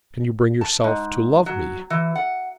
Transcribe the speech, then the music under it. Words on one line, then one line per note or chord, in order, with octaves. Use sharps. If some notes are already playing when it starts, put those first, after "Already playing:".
Can you bring yourself to love me?
A5
G#2
F#3
E3
F#5